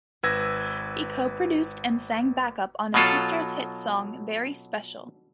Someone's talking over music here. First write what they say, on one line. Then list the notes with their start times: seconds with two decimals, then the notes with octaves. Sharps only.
He co-produced and sang backup on his sister's hit song, Very Special.
0.23 G#1 B4 E6 G#6 A#6
2.94 B2 F#3 F4 A4